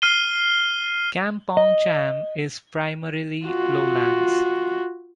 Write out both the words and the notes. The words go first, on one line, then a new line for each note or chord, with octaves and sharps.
Kampong Cham is primarily lowlands.
F6 C7 D#7 G7
D#5
F4 F#4